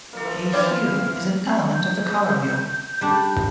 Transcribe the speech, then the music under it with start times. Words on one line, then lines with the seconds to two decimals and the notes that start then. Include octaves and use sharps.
A hue is an element of the color wheel.
0.13 E3 F3 A#3 A4
0.53 D4 E4 C5 D5 F5 G5 G#5
1.74 G6
3.01 G3 D4